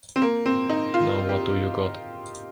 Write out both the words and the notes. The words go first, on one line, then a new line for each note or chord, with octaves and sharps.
Now what do you got?
C4
A#3
C4
D#4
F4
G4